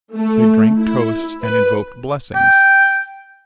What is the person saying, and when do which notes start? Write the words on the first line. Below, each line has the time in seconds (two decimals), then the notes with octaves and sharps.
They drank toasts and invoked blessings.
0.15 A3
0.78 E4
1.42 B4
2.35 G5